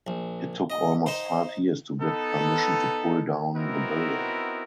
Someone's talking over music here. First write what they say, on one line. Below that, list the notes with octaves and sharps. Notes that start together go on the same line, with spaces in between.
It took almost five years to get permission to pull down the building.
A#1
D#5
D#4 C5
B3 D#4 A4
B3 C4 D#4 E4 F#4 A#4